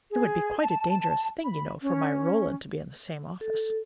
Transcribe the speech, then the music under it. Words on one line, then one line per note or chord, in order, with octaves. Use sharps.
"It would be quite a dangerous thing, you know, for my Roland to be in the same office."
G#4
A5
B5
C#4
A4